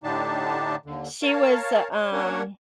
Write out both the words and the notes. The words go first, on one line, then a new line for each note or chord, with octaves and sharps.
she was, uh, um
A2 D3 D4 D#4 G4 A5
D#2 D3
A#4 C#5 F5 A5
C#5
A#3 C#4 D4 A#4 C#5 F#5